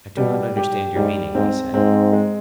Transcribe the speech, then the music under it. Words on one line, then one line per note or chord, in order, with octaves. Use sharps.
I do not understand your meaning, he said.
B2 G3
G4
G#2 G3
G#2 C4
G#2 C4
G#3